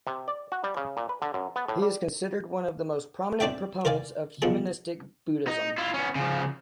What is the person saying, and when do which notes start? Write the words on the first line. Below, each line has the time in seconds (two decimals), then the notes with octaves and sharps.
He is considered one of the most prominent proponents of Humanistic Buddhism.
0.07 C3
0.28 D5
0.52 F#4
0.64 G3
0.77 C#3
0.97 A#2
1.09 B4
1.22 D3
1.34 F#2
1.56 B3
1.68 A2
1.82 G3
3.40 C4 D4 D5 E5 G5
3.85 A#4 C5 D5 F5 G#5
4.42 B2 F3 G#4 A5
5.47 D#4
5.78 E4 F4
5.94 B3 C#4
6.15 C#3 F3